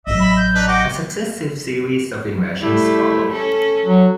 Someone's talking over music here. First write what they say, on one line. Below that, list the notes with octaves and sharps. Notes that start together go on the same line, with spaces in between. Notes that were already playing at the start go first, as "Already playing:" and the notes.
A successive series of invasions followed.
A1 F#3 D#5 E5
B5
G6
D4 D#4 B4
F#4 D#5 G5 D6
G3 A3 E4
C#4 A4
F#3